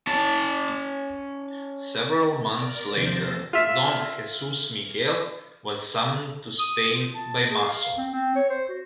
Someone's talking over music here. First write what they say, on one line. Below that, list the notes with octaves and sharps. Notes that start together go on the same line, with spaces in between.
Several months later, Don Jesus Miguel was summoned to Spain by Maso.
C#4 A5
A#4 D5
D#2 C3 F3 C5 A6 A#6
F4 E5
D#6
F4
A5
G#4
F5
C4
C4
C#5
C5
F#4